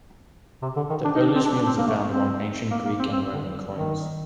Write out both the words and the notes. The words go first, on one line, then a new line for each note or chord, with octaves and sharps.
The earliest mules are found among ancient Greek and Roman coins.
C3
D3
D#3
D4
D#4
D4
C4
D4
D4
C4
A#3
A3
C4
A#3
A#3
C4
C4
D3
D#3